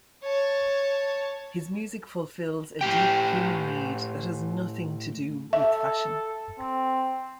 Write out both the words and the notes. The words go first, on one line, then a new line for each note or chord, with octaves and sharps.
His music fulfills a deep human need that has nothing to do with fashion.
C#5 A5
A2 C#4 G4 G5
A4 E5
C4